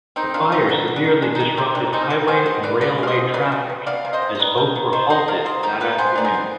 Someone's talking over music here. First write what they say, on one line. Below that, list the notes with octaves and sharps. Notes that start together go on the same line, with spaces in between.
The fire severely disrupted highway and railway traffic as both were halted that afternoon.
D#3 C4 D#4
D#3 D4 F4
B3 C4 D#4
B3 D4
B3
D4
D#3
G#3 D4
D#4
D#3 D4
D#3 C4
D#3 D4
G#3 C4 D#4
G#3 G4 B4
B3 G#4 C5
D3 C5 D#5
D3 B4 D5
D3 B4 D5
G#3 F5
C5 D#5
D3
C3 B4 D5
G3
C3
B3 D5 F5
C3
C5 D#5
C3
D#5
D#3 B4 D5
G3
D#3
D#3 C5 D#5
B3 C5 D#5
D#3 D5 F5
D#3 C5 D#5
D#3 D#4 G4
B3 G4 B4
B3 G#4 C5
D#3 D5
G#4 C5
B3